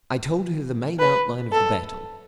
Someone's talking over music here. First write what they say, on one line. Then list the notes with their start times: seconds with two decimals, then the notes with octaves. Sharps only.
I told her the main outline of the battle.
0.99 B4
1.52 A4